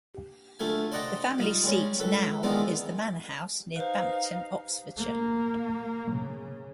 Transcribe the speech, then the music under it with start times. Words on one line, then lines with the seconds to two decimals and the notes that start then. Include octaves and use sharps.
The family seat now is The Manor House, near Bampton, Oxfordshire.
0.59 D2 A3 F4 G#5
0.92 C5 D5 D#5 F#5 G5 A#5
1.38 G3 D#4 F4
1.63 G3 G#3 C#4
1.99 C#2 A4 B4
2.43 D#3 E3 G#3 B3 D4 F4
3.76 D#4 B4 C5 F5
4.97 A#3
6.12 C#3